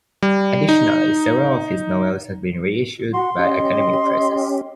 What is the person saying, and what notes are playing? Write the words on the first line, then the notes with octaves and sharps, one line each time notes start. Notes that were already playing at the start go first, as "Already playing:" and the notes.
Additionally, several of his novels have been reissued by academic presses.
G3
D#4
F#4 F#5 C6
C#4 G4 D#5